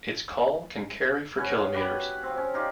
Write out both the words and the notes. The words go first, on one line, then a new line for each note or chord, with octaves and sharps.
Its call can carry for kilometres.
B3 C#4 C#5
F#4 G4 B4 B5
F3 C4
C#4
D#4 F4 G4 D5